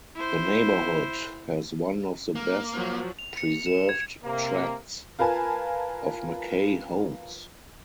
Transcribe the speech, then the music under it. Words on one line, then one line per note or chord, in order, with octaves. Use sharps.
The neighborhood has one of the best preserved tracts of Mackay homes.
E4 C5
A#3
F3 F#3
F7
C#7
E7
G#6
C3 A#3
F4 A#4 B4 G#5 A5